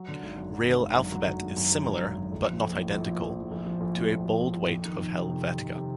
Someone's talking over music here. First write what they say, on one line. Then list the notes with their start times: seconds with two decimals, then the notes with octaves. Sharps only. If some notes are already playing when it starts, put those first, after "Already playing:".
Rail Alphabet is similar, but not identical, to a bold weight of Helvetica.
Already playing: F#3
0.08 D3
0.23 G#1
0.37 F#2
0.53 F#3
0.68 D3
0.83 G#1
0.97 F#2
1.12 F#3
1.27 D3
1.42 G#1
1.57 F#2
1.72 F#3
1.87 D3
2.02 G#1
2.17 F#2
2.32 A#1
2.47 F3
2.62 A#1
2.77 A2
2.92 A#1
3.06 F3
3.21 A#1
3.36 A2
3.51 A#1
3.67 F3
3.81 A#1
3.96 A2
4.11 A#1
4.25 F3
4.41 A#1
4.55 A2
4.71 F2
4.85 D#3
5.00 F2
5.15 C3
5.30 F2
5.45 D#3
5.60 F2
5.76 C3